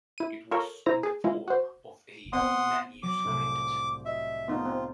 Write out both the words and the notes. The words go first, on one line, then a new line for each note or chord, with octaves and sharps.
It was in the form of a manuscript.
E4 D#7
F4 A4 A#4 C#5
E4 C5 A#5
G#4
G#3 E4 F4
F#4 C5
B3 C4 F#5 C6 D#6
F#3 D6
C2 A2
F#4 D#5 E5
A3 B3 C4 D#4 F4
C4 F#6